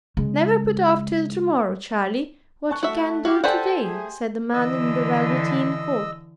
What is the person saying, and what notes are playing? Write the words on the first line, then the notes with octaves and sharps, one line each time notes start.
"Never put off till to-morrow, Charlie, what you can do to-day," said the man in the velveteen coat.
C#3 G#3
A5 C#6 F#6
A3 F#4 E5
E4 F#4 G4 E5 F5
G4 A4 C5 D5 F#5 G#5
A3 G#4
D3 E3 D#5 E6